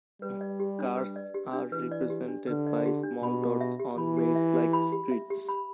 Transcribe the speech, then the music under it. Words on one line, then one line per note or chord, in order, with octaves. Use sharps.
Cars are represented by small dots on maze-like streets.
G3 B4
D5
G4
D4
B4
D5
G4
D4
E3 B4
D5
G4
D4
D3 B4
D5
G4
D4
B2 B5
G4
E5
G4
E3 B5
G4
E5
G4
B5
G4
E5
G4
B5